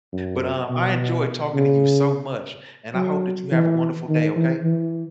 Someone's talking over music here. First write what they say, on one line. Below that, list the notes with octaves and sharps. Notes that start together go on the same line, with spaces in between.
but, um, I enjoyed talking to you so much, and I hope that you have a wonderful day, okay?
F#2
B2
C#3
F#3
E3
D#3
E3
E3